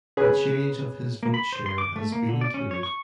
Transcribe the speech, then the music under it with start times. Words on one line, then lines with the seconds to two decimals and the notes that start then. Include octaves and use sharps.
The change of his vote share has been included.
0.17 C#3 G#4 B4 C#5
1.23 A#3
1.34 B5
1.53 C5
1.66 C6
1.78 D6
1.96 A3
2.12 A#3
2.29 D3
2.41 D5
2.54 C#4
2.71 C#5
2.83 C#6